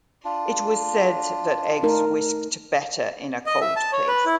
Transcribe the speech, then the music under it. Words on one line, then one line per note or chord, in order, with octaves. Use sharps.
It was said that eggs whisked better in a cold place.
D4 F4
A3 D#4 A#4
D#5
E5
A5
C#5
B4
E4